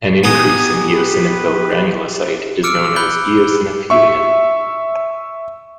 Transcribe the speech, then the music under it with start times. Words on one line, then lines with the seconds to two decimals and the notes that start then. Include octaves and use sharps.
An increase in eosinophil granulocyte is known as eosinophilia.
0.24 B3 D#4 G4 G#5
0.91 B4
2.64 D6 E6 F6 C#7 D7
2.96 B5 F#6 G6 F#7 G7
3.90 E5 C#6